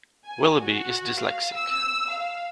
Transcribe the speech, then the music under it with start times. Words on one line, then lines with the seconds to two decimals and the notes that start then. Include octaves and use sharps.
Willoughby is dyslexic.
0.25 G#5
0.63 F#4
1.17 F5
1.54 E6
2.09 F5